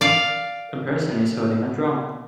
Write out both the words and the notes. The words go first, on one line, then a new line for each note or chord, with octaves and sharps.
A person is holding a drum.
D5 F5